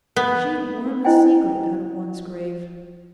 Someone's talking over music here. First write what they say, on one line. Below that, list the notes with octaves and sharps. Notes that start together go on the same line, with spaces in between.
She'd worm a secret out of one's grave.'
B3
D4 E4 C5 D#5 G5 G#5